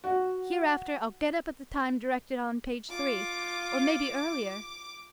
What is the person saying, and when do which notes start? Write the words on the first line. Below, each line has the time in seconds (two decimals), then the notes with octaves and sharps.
Hereafter I'll get up at the time directed on page three, or maybe earlier.
0.04 F#4
2.90 F4 D6